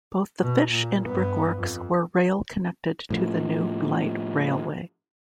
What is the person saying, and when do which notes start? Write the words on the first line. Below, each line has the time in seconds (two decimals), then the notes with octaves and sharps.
Both the fish and brick works were rail connected to the new light railway.
0.42 B2
0.71 A#2
1.04 G2 B3
1.59 F2
3.11 A2 F3